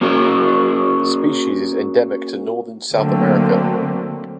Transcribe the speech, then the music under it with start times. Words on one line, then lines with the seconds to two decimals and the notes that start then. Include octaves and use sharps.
The species is endemic to northern South America.
0.01 A#3 C#4 F#4 G#4 A#4
2.95 D3 F#3 A3 A#3 C4